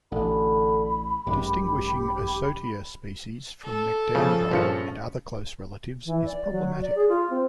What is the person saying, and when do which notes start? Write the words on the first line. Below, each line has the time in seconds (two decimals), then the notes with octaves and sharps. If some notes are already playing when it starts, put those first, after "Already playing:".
Distinguishing "Ocotea" species from "Nectandra" and other close relatives is problematic.
0.12 A1 D3 B5
1.26 G#1 F#2 G#3 G4
3.64 A4
4.15 C#3 F3
4.51 A#1 G2 F3 C#4 C#7
6.06 E3
6.25 D5
6.51 F#3
6.82 D5
6.95 G#4
7.09 F4
7.30 C4